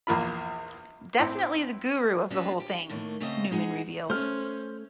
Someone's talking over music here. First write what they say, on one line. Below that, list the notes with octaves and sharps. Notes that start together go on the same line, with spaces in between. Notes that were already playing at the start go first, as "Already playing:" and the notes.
Definitely the guru of the whole thing, Newman revealed.
A#1 E2 A#3 F4 B5
A2 C4
A#3 C#4 D4 F4
G4
A2 D#3 A3 A#3
C#3 A3 C4 D#5 F5
G#3 D#4 G#4 F5 F#5
A3 C#4 C5 F6